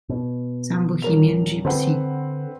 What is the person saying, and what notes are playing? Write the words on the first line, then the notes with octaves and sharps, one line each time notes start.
Some Bohemian gipsy.
B2
D#1 A#4 F7
D3 C4 B4 F#5